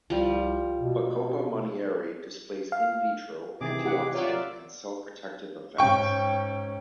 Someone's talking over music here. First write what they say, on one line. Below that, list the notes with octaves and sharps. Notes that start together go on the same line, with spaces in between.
"Bacopa monnieri" displays "in vitro" antioxidant and cell-protective effects.
C2 F3 G3
B2
F5
C3 D#3 E3 G#4 D6
G4 F#5
A#3 F4 C#5 D5 E5 F#5
G#2 C#4 G5 C#6